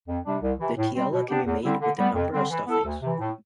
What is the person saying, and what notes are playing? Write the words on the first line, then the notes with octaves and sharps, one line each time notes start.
The tiella can be made with a number of stuffings.
F2
C3 G3 D4
C2
C3 E3
A2
G3 C4
B2
B3 D4 G4
E2
D3 G3 C4 E4
D3
G3 B3
F2
D3 G3 C4
E3
B3 E4 A4
D2
C3 E3
A2